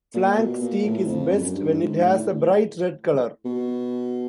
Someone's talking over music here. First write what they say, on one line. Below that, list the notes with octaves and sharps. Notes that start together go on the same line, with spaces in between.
Flank steak is best when it has a bright red color.
A#2
B2
A#2
A2
F2
F#2
F#2
G2
G#2
A2
B2